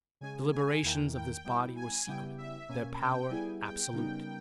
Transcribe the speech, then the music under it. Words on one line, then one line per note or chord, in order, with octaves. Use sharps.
The deliberations of this body were secret, their power absolute.
C#3 G#3 C#4 G#4 G#5
G#5
E2 D#3 A#3 E4 A#4 G5
G5
G3 B3 E4 G5
G#5
C#3 G3 B3 E4 G4 G5
E5
B2 A#3 C#4 G#5
G5
G3 B3 E4 G#4 G#5
G5
C#3 G3 B3 D#4 A#4